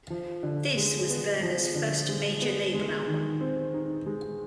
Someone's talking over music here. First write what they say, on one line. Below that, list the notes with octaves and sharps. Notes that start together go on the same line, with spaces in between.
This was Werner's first major label album.
F3
D3
G#3
B3
F3
D3
G#3
B3
G#3
D#3
C4
D#4
G#3